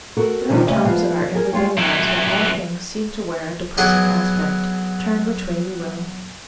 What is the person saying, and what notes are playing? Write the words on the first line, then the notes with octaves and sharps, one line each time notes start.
There are times in our every-day lives when all things seem to wear a depressing aspect, turn which way we will.
F#4 A4 A#4
B2 D#3 F3 G3 C#4
D2 C#3 C#4 D#5 E5
F3 B3 F5
G#4 A#4
G#3 F4 C#5 G5
F#2 E3
F#3 B3 E4 G#4 D5 D#5